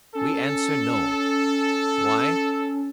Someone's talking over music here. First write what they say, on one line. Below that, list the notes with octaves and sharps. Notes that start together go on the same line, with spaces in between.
We answer No. Why?
C#4 A4